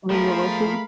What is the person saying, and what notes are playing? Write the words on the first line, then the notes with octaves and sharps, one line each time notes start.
When you're working?
F3 A3 G#4 A#4 F5 B5